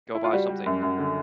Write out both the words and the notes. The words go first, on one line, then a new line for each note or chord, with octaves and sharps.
go buy something,
E4
F4
G3 F#4
G3
F#2
F#2
D3